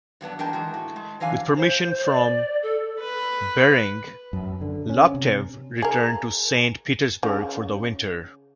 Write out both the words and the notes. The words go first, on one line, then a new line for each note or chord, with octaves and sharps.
With permission from Bering, Laptev returned to Saint Petersburg for the winter.
G2 F#3 B3 D4
E2 G#3 D4 A#4 G5 A5
E3 G#3 F#4
A2
G#3
D3 E3 F#3 F5 G#5
C5
D5
A4
B4
F#2
D3
C#4
C3
G#4 A#4
C#3